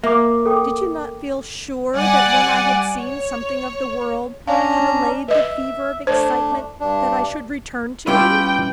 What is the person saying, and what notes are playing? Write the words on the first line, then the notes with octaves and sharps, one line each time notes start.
Did you not feel sure that when I had seen something of the world--had allayed the fever of excitement--that I should return to you?
A#3 E5 D6
A4 G5 D6
G3 D5 F#5 G#5
C#5
C#4 D4 F5 A#5
B4 D#5 E5
A3 D4 C5
G2 D4
G3 C#4 E4 F4 G4 B4 G5